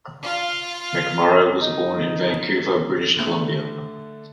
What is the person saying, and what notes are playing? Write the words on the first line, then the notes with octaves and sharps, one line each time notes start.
McMorrow was born in Vancouver, British Columbia.
F4 F5
D#4
D3 A3